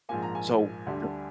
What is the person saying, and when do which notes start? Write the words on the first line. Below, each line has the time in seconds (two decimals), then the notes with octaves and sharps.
So the
0.09 A#1 G#2 F3 A#3 G#5
0.22 A#5
0.35 G#5
0.87 D2 D3 G3 D4